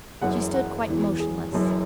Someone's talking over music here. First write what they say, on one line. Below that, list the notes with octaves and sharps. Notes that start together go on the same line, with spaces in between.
She stood quite motionless.
F#1 F#2 E3 F#5
F#5
E1 E2 E3
G#4
F#1 F#2 E3